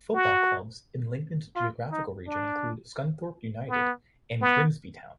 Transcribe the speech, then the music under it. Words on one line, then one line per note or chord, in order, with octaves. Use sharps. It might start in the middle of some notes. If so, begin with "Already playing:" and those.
Football clubs in Lincoln's geographical region include Scunthorpe United and Grimsby Town.
F#4
F4
D#4
D4
B3
B3